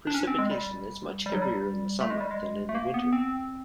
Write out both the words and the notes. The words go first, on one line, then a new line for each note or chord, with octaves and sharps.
Precipitation is much heavier in the summer than in the winter.
D4
C#4
C4
G#3
G3
G3
F#3
G3
A3
G#3
G3
G#3
A3
A#3
B3
C4